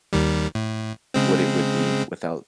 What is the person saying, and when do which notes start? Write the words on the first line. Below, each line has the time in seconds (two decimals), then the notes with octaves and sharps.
what it would be, without,
0.13 D#2 D#3 G3
0.55 A2
1.14 C#3 G#3 C4